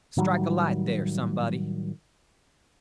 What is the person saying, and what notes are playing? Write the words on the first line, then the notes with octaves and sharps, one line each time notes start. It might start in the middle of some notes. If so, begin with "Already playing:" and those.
Strike a light there, somebody.
A2 D#3 F#3 G3